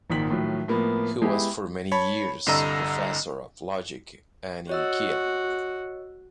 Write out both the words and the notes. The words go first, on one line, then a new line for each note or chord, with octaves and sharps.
He was for many years professor of logic and in Kiel.
G#1 A#2 D#3 B6 F#7
A2 D#3 F3 F#3
A2 F3 A#3 B3
G#3 B3 E4 G4 G#4
C#5 A5 B5
C2 G2 D3 D#5 A#5 E6
F#4 C#5 D#5 E6